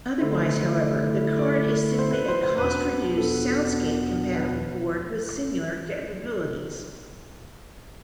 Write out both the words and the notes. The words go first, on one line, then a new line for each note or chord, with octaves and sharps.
Otherwise, however, the card is simply a cost-reduced Soundscape-compatible board with similar capabilities.
D3 A3 E4 A4 C5
C5
B4
C5
D5
D5
C5
B4
C5
C5
E2 B2 B3 D4 B4
A4
B4